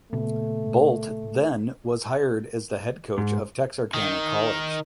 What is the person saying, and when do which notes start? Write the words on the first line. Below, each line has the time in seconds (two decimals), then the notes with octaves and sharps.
Bolt then was hired as the head coach of Texarkana College.
0.13 A#2 C#3 A3 B3
3.18 G#2
3.94 D#3